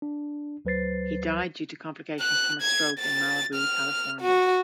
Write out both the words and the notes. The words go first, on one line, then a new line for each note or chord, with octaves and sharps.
He died due to complications from a stroke in Malibu, California.
D4
D2 F#3 B4 C5 A6 C7
F#6
G#6
A6
F6
F#4